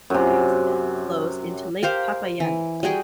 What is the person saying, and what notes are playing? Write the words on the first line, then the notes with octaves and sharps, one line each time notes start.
It then flows into Lake Papaianni.
F#2 C3
G4 A#4 C5 F5
E3
G3 F#4 G#4 G5